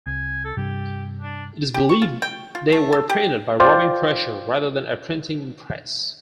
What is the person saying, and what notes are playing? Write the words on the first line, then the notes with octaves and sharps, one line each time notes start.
It is believed they were printed by rubbing pressure, rather than a printing press.
C2 G#5
A4
G2 C3 G3 G4
D4
G4
C#6
F4
G5
F4
A3
A4
G4
F4 C5 D5 G5